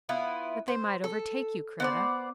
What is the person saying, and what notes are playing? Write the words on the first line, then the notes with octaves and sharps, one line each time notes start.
"But they might overtake you, Kreta."
B3 E4 F4 B4
C5
A4
B3 C5 D5